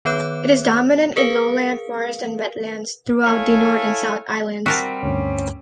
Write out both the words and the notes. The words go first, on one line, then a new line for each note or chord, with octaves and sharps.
It is dominant in lowland forest and wetlands throughout the North and South Islands.
D#3 B3 B4 C#5 D6 F#6
G#4 A#4 B4 F5
E4 A4 C#5 F5 G#5
G3 C4 F#4 A#4 E5 A5
D2 G2 C#4